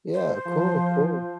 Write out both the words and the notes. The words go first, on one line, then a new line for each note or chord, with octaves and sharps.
Yeah, cool, cool.
C5
F3